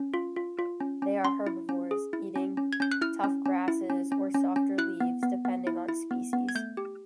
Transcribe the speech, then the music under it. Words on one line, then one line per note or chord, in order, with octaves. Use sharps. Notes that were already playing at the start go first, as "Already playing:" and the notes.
They are herbivores, eating tough grasses or softer leaves, depending on species.
Already playing: C#4
F4
F4
F4
C#4
C#4
C#4 C6
E4
C#4
G#4
E4
C#4
C#4
G#6
C#4 G6
F#6
E4 F6
C#4
C#4
E4
C#4
C#4
C#4
C#4
E4 F#6
B3
B3
B3
E4
E4
B3
B3
G#6
A3 G6
G4